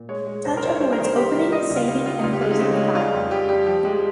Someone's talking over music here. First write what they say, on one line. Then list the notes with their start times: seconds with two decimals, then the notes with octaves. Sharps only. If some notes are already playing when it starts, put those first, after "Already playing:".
Touch avoids opening, saving, and closing the file.
Already playing: A#2
0.09 G#3 C#5
0.27 G#3
0.45 C2 C5
0.57 A#4
0.62 C2 C5
0.76 C#5
0.80 G3 C5
0.92 A#4
0.98 D#3
1.04 C5
1.16 D#3 G4
1.34 G3
1.52 G3 D#5
1.70 C#2
1.76 F4
1.88 G3 D#4
2.06 G3 F4
2.19 D#4
2.24 C#2 F4
2.33 G4
2.41 G#3 F4
2.51 D#4
2.60 C#3 C4
2.71 C#4
2.77 G#3
2.83 D#4
2.95 G3 F4
3.13 F2
3.31 G3 G4
3.49 G3 G4
3.66 F3 G4
3.85 G#3 G4